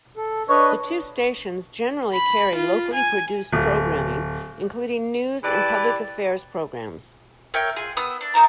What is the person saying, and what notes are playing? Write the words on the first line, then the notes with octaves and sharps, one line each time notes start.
The two stations generally carry locally produced programming including news and public affairs programs.
A4
D4 B4 C#5 D#5
B5
F4
G#5
D1
E3 G4 B4 D5 A5
A#4 C#5 E5 G5
F4 G#4
B3 D#6 E6
D4
D#4 A#4 E5 A#5